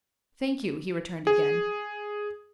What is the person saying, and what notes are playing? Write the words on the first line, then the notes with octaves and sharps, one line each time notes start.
"Thank you," he returned again.
G#4